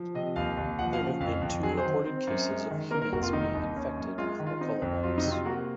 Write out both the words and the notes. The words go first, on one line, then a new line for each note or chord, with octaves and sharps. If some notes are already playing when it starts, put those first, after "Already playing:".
There have been two reported cases of humans being infected with Mokola virus.
Already playing: F3
C3 D#5
D#2 F5
D#2
F3 F#5
F5
C#3
F2 F5
F2
F#3 G#4
C5
D#3
C4
F#2
G#3
D#3
A#3 A#4
A#4
F1 F#4
F4
D#3 D#4
D#2
C#4
F#2
G#3 F4
D#3
F4
C4 D#4
F2
F#3 F4
D#4
C3
F4
A#3 F#4